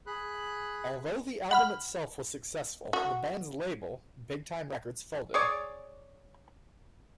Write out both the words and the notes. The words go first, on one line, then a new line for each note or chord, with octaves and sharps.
Although the album itself was successful, the band's label, Big Time Records folded.
G#4 B5 F#6
F#5 B5 F6
F#4
G#4 C#5 D5